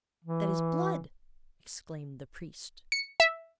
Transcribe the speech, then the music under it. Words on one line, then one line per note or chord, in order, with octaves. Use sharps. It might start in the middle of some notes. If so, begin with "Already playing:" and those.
"That is blood!" exclaimed the priest.
E3
C#7
E5